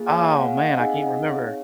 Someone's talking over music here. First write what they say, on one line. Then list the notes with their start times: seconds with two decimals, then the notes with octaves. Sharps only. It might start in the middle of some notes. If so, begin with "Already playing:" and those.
Oh, man. I can't remember
Already playing: A#3 F4 G#4
0.10 C#5 F5
0.26 G#5
0.37 F#5
0.48 F5
0.57 D#5 F#5
0.77 C4 D#4 G#4 F5 G#5
1.03 D#5 F#5
1.27 C#5 F5